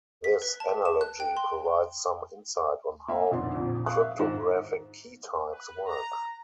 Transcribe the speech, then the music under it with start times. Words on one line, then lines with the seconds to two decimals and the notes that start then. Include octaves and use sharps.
This analogy provides some insight on how cryptographic key types work.
0.24 B6
0.42 B4
0.60 A5
0.85 E7
1.01 F#6
1.20 G5
1.37 C6
3.08 A#3 E5
3.32 F1 B1 D3 C6
3.54 A#1 F2 A#2
3.86 F5 C#6 D#6 F#6
4.00 E5
4.19 G#2 D#3 C5
5.53 B4
5.87 A#5